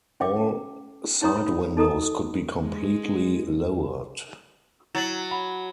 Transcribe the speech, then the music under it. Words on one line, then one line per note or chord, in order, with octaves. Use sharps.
All side windows could be completely lowered.
C#4 G5 D6
D#4 C#5 A#5 D#6
B5
D#4 A4 D#5 A#5 D#6
G#3
F#3 E4 A6 F#7
F#5 B5